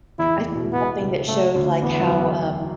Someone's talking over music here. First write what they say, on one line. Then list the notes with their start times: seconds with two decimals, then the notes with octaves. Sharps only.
I think something that showed, like, how, um,
0.19 E2 E3 E4
0.37 E2 E3
0.55 B2
0.73 B2 B3
1.01 C#2 C#3
1.28 C#2 C#3 A3
1.55 D2 D3
1.82 E2 E3 B3
2.01 F#2 F#3
2.19 E2 E3